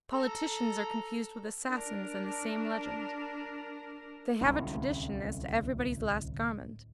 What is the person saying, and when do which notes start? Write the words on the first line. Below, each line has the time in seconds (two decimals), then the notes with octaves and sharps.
"Politicians" are confused with assassins in the same legend. They have a tradition as to everybody's last garment.
0.13 A4 A#5
1.67 D4 A#4
4.41 D1 C2 C#4